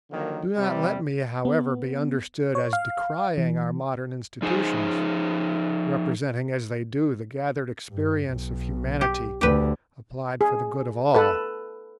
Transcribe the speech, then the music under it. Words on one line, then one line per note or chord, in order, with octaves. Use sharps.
Do not let me, however, be understood as decrying our modern institutions, representing as they do the gathered experience of humanity applied for the good of all.
D3 D#3 F3 F#3 A#3
C3 G3
B3
C#5
F5
E3
F3 D#4 G#4 C5 G#5
G2
B1
G4
D2 D3 G4 B4
G#4
A4 B4